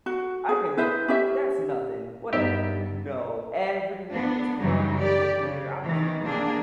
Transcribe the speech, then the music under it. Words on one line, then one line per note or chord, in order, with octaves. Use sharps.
I can that's nothing, whatever." No, everyone was crying in the theater. I was not,
F#4
G#4
E4 B4 C5 E5
C#4 G4 E5
G2 B3 D#4 G4 E5
B3 D4
F#2 C#3 E3 F#3 G3 D#4
G4 D5
C#3
D#3 E3
A#3 D4 G#4